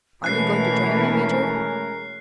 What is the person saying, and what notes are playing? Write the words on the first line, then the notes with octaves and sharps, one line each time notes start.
"Aren't you going to join me, Major?"
B2 E3 G#3 A3 C#4 A#4 F#6 C7